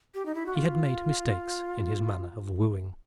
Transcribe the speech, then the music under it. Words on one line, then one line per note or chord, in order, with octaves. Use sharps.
He had made mistakes in his manner of wooing.
G4
D#4
E4
F#4
F4